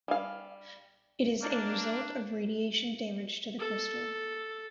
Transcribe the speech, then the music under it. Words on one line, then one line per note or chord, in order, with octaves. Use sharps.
It is a result of radiation damage to the crystal.
G3 F5
A#3 D4
A4